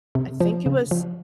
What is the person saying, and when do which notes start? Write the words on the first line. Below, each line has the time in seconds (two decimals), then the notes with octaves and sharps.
I think it was
0.15 C3
0.40 F3
0.66 C#3
0.91 F3